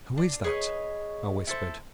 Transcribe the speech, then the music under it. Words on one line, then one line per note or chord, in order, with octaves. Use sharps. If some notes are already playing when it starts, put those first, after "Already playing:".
'Who is that?' I whispered.
D4
G#4 B4 C#5 D#5
E4 A4 C5